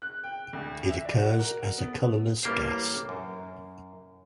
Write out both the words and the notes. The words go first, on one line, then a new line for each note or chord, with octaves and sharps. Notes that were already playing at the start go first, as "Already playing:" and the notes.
It occurs as a colorless gas.
F#6
G5
D2
E5
D5
F#4
A#4
B3
A1 G3 A#3 G4 C5
F#2